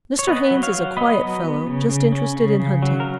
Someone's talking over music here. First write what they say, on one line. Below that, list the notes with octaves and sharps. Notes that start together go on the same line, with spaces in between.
Mr. Haynes is a quiet fellow, just interested in hunting.
C#5
B3 B4 D#5
F#3
C#5 F5
F#3
B3 B4 D#5
F#3
B3
C#3
C#3
C#4
C#3
C#3
F#3
A#4